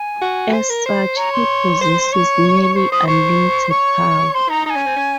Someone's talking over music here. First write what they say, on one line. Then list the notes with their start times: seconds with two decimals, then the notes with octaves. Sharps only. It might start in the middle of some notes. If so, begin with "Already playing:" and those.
As such, he possesses nearly unlimited power.
Already playing: G#5
0.22 F#4
0.53 C5
0.70 A#4
0.86 C5
1.17 C#5 A#5
1.33 C6
1.81 C5
2.12 C#5 C#6
2.76 C5 C#6
2.92 C5 D#6
3.07 C5 C#6
3.70 C#5 C#6
4.34 C5 C6
4.49 D#4 A#5
4.66 D#4 G#5 A#5
4.76 C#4
4.86 C4
4.96 C#4